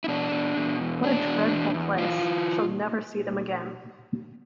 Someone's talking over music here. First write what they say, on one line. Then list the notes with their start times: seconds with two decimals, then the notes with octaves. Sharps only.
What a dreadful place; I shall never see them again!
0.04 E4
0.08 B2 D4
0.32 B2
0.57 B2
0.80 E2
1.03 B2 D4
1.27 E2
1.52 E2
1.74 E2
1.98 E3 F4
2.22 E3